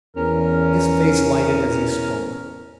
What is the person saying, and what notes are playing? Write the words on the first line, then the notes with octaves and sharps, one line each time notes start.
His face lighted as he spoke.
E2 C#4 A#4